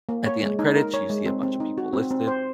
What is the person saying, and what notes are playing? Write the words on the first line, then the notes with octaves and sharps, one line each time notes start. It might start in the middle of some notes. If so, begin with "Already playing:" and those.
at the end credits, you see a bunch of people listed,
A#3
C#5
G#3
D#4
A#4
C#5
G#3
C4
C4
D#4
F#4
C4
C4
C5